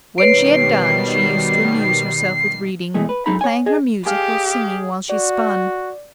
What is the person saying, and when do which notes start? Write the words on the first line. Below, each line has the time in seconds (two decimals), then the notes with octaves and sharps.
When she had done, she used to amuse herself with reading, playing her music, or singing while she spun.
0.18 B2 D#3 G3 B4 C#5 C7 D7
2.94 B2 E3 G#3 A3 G#4
3.09 B4
3.26 F#2 G#3 D#4 A4 A#5 B5
3.41 C#5 G#5
3.66 G#4 D#5
4.06 G4 G#4 D#5 F5
5.09 F#4 D5